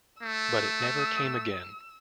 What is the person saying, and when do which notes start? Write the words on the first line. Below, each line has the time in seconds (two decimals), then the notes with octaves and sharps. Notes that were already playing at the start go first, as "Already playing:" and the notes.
But it never came again.
0.22 A3 E6